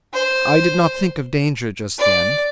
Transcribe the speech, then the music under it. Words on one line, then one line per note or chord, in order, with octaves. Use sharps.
'I did not think of danger just then.
C5
D5